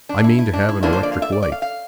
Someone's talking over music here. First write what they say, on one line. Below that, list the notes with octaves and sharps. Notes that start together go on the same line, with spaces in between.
"I mean to have an electric light."
D4
E4
E4
D4
E4
D3 F3 A#3 D4 E4
C5
D5
F5
E5
D5
D5
F5
F5